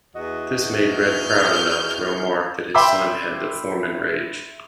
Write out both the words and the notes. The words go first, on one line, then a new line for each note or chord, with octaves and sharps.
This made Red proud enough to remark that his son had the Forman Rage.
E2 F#4 D#5
F6 G6
E5 G5 B5 C6 D6 E6